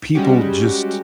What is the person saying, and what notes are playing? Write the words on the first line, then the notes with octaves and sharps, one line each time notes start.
people just
G3 G#3 C#4 F#4 G4